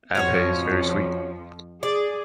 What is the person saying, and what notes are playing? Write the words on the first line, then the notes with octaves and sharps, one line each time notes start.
Abhay is very sweet.
F2 F3 C#4 F#4 C#5
G#4 D5